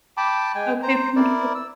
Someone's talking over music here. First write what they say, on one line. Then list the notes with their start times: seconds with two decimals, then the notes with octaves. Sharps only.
Okay, thank you."
0.17 G5 A5 B5 D6
0.55 G#3 G5 G#5
0.83 C5 A#5
1.16 E4 A#4 D5
1.55 E6